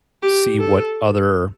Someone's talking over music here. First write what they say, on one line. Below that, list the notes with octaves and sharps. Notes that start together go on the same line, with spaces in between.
see what other
G4
A4